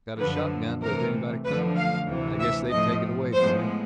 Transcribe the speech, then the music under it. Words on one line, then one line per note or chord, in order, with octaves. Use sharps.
Got a shotgun, but if anybody come, I guess they'd take it away from me.
F#2 D3 F3 B4
C3 E3 A3 A#4
F#2 D3 F3 A3 B4
F5
D2 C3 E3
E5
A2 F3 A3 D#5
A2 F3 G#3 B3 C5